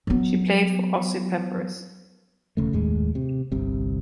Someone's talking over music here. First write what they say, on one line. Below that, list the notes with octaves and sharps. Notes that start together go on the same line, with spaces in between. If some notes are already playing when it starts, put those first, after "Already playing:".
She played for Aussie Peppers.
F#3 B3
E1 C#3 A3
F#1 D#2 A2 G#3
C3
G1 C2 C3